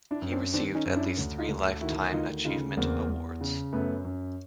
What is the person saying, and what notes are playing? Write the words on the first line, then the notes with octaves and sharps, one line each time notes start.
He received at least three lifetime achievement awards.
D4 E4
F#2
C4 D4
D#3 C4 D4
C#4 D#4
F#2
D4 E4
D2
D#4 F4
D2
D#3 E4 F#4
D2 D#4 F4
C#3 D#4 F4
E2 A#3 C4
E2
C#3
F#2 A3 B3
F#2